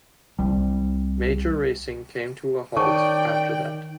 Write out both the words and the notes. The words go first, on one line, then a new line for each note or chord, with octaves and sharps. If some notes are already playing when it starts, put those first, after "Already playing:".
Major racing came to a halt after that.
C2 G3
D#3 C#5 D5 G5 A5 C#6